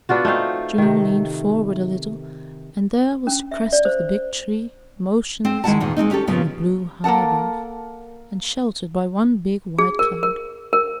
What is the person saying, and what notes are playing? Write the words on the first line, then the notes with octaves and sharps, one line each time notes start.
June leaned forward a little, and there was the crest of the big tree motionless in the blue high above, and sheltered by one big white cloud.
B3 D4 F4 F#4
A3 C4 D#4 F5
C3 D#3
C#4
E5
D5
C5
C4
D#3 G#3 E4 A#4 F#5 A5
E2 A#2 D#3 A#3
G#3 A#3 C4 D#4
C#4 G4 A4
A#2 C#3 F3 B3
A#3 A4 A#4 F#5 A5
G#4
A#4
A#4
A#4